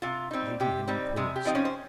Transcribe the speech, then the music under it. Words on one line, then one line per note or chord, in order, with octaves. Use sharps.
Lady Henry paused.
C3 F4
G3 C4 D#4
C3 G4
G3 C4 D#4
C3 G#3 G#4
G4
F3 C4 D#4 D#5
C#4 C#5
C5